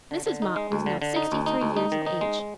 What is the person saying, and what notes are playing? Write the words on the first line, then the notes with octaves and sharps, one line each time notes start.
Mrs. Mott was now sixty-three years of age.
D3
D3
D#4
G#3
D2
D3
D3
D#4
D2
D#4
D2
D#4
D#3
D#4
G#3